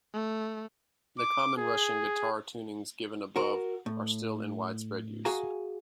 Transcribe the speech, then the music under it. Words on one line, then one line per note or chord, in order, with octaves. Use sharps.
The common Russian guitar tunings given above are still in widespread use.
A3
D6
G#4
F#4 A#4
A2
F#4 G#4 F5 G#5 A#5